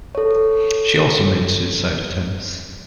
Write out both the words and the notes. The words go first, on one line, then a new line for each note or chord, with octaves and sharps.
She had also made suicide attempts.
A4 C#5